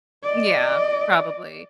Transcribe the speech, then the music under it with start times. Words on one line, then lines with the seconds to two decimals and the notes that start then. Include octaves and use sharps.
Yeah. Probably.
0.24 D5 D#5